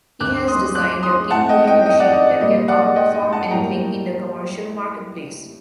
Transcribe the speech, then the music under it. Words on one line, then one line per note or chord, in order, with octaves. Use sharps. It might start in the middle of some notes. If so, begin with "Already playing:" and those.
He has designed a cake-cooling machine that can outperform anything in the commercial marketplace.
D2 D3 A3 C4 D6 F#6
C6 D#6
D6 F#6
C6 D#6
A2 A3 C4 F#5 A5
D#5 G5
D#5 G5
D#5 G5
D5 F#5
D#5
D5
A#2 G3 A#3 D#5
D5 F#5
D#5 G5
D#5 G5
F#5 A5
A2 G3 A#3 G5 A#5